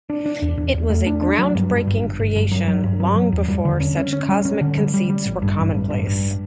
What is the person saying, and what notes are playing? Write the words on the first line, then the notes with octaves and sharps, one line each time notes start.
It was a groundbreaking creation long before such cosmic conceits were commonplace.
D4
D4
E2
E2
E2
A3
D4
D4
F#3
G2
G2
G1
G1
G1
G2
F#3
F#3
G2
F#3
F#3
E2
G3
D3
C#4
C#4
C#4
G3
C#4
D3
G3
G3
G3
A1
G2
A1
G2
G2
G2